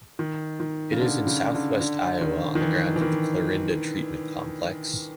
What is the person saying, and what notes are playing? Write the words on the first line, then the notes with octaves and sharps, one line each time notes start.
It is in southwest Iowa on the grounds of the Clarinda Treatment Complex.
D#3
D#3
C#3
D3
C#3
D3
D3
D#3
D#3
E3
E3
D#3